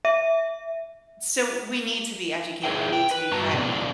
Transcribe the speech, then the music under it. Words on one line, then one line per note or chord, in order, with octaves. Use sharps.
so, we need to be educated. We need to be ready
E5
G#4 A#4 B4 C#5 E5 G5
G5
B4
G2 F#4 B4 A5 A#5
C3 B3 C4 D4